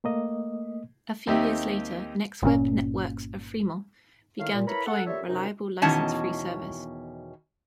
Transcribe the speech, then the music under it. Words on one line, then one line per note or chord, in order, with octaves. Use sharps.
A few years later NextWeb Networks of Fremont began deploying reliable license free service.
A3 A#3 D#5
D#2 C4 D#4 G4 E5
G1 A#2 D3 C#4
A2 D#3 F5
A#2
E4 A#4 B4 C#5 A#5 B5
A4 F#5
A#2 D3 G3 A4 C#5 E5
F#2 C3 D#4
E2 B2 D#3 C#4 D#5 A5